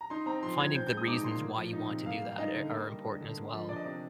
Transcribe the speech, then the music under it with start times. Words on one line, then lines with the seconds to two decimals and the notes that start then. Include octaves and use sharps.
finding the reasons why you want to do that e are important as well.
0.01 A#5
0.10 D#4 C6
0.26 C4 A#5
0.43 F3 C6
0.60 F3 G#6
0.75 C4 G6
0.87 G6
0.92 G#3
0.97 D#6
1.08 D#4 D6
1.24 A#2 C6
1.40 A#3
1.57 F3
1.73 D#4
1.89 C3
2.06 A#3 F5
2.22 G3
2.38 D#4 D#5
2.55 D3
2.71 A#3
2.87 G3
3.04 D4
3.20 D3
3.37 A#3
3.53 F3
3.69 D4 D5
3.76 D#5
3.84 C3 D5